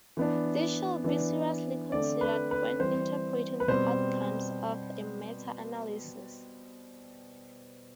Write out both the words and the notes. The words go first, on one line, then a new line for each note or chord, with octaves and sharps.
This should be seriously considered when interpreting the outcomes of a meta-analysis.
E3 B3 D4
E3 B3 D4
D3 A3 C4 D5
B4
B4
E3 G3 C4 C5
B4
B2 G3 C4 C5